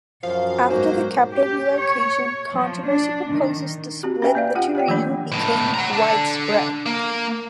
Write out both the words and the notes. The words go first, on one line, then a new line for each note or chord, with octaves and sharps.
After the capital relocation controversy proposals to split the two regions became widespread.
F#2 F3 F5
B1 G#2 F#3 A#3 C5
G4
C#5
F3
D4
D#3
C4 F#4 G4
C#4 B4 E5 G5 G#5
A#3 D5 F5
F4 G4 F#5
G4 C#5 D5 G5
D#3 F3 A3 A#3 D4
C#2 A2
F#5 A#5
D4 A4
A#3